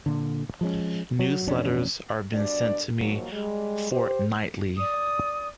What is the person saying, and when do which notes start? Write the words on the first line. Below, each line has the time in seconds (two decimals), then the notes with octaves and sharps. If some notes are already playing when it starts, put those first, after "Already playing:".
Newsletters are being sent to me fortnightly.
0.06 A#2 D3
0.61 F3 G#3 C#4
1.19 F#3
1.47 A1 F2 C#4 D4
2.32 G2 B2 D4 D5
2.97 G#2 D#3 F3 F#3 A#3
3.31 G3 G#3
3.90 G4 C5
4.77 D5 D#6